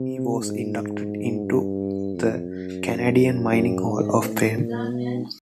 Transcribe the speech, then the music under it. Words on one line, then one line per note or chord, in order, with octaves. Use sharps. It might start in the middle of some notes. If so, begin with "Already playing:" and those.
He was inducted into the Canadian Mining Hall of Fame.
Already playing: C3
G#2
G2
F2
F#2
F#2
G#2
A2
A#2
B2